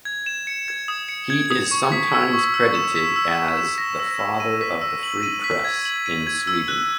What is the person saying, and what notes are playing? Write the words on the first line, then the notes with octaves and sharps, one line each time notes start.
He is sometimes credited as the "father of the free press" in Sweden.
G#6
E7
C#7
G#6
D#6
C#7
G#6
D#6
C#6
B6
E6
C#6
E6
E7
B6
E6
E6
E7
A#6
E6
E6
D#7
B6
E6
F#7
D#7
B6
G#6
F#7
D#7
G#6
E6
F#6